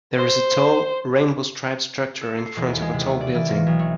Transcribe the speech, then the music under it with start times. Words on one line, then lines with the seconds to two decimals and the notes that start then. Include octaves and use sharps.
There is a tall, rainbow striped structure in front of a tall building.
0.16 C5
2.21 A4
2.38 C7
2.57 E1
2.68 D#2
2.82 G#3
2.93 C3
3.06 A3
3.21 D5
3.34 E3
3.50 A#3
3.66 B1
3.79 A3